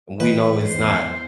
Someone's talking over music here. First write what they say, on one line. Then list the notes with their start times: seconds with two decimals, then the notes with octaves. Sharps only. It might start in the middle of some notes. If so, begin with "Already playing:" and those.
We know it's not
0.20 E3 B4 D#5
0.67 E2 C5